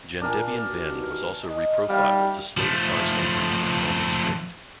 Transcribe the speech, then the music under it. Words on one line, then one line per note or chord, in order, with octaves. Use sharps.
Gendebien Bend was also re-profiled to slow the cars' entry to the Ullman straight.
A#2 D4 A#4 G#5
D#2 F#4 B4
D#5
G3 D#4 G4 E5 F5 G5
F3 A3